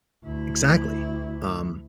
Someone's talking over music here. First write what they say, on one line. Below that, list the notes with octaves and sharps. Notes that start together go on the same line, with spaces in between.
Exactly. Um,
D2 E4